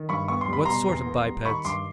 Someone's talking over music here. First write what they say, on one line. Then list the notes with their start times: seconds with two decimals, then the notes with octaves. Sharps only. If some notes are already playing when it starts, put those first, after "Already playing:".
"What sort of bipeds?"
Already playing: D#3
0.09 G2 B5 C#6
0.28 B3 C#6
0.41 C6
0.48 G3 B5
0.65 B2 A#5 C6
0.88 E2
1.06 B3
1.26 G3
1.45 D#3 B5 C#6
1.65 G2 C6 D6